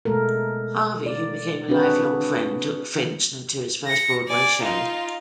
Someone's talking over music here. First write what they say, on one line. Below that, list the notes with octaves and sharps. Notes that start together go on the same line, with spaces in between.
Harvey, who became a lifelong friend, took Fichtner to his first Broadway show.
B2 G#3 A3 A4 A#4
D5
C4 D4 F#4 G#4 B4
A#6 C#7
D5 G#5
D#4 F4